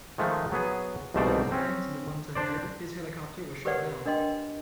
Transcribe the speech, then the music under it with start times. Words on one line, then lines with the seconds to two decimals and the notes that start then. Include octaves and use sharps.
Five times in the months ahead, his helicopter was shot down.
0.18 D#3 F3 G#3 A3
0.52 F#3 B3 G#4
1.14 C2 G#2 B2 A3 C5 D5
1.52 C4 C#4
2.35 D4 C5 D5
3.65 G4 A#4 B4 C#5 D5 F#5
4.06 D4 A#4 D#5 G5 C6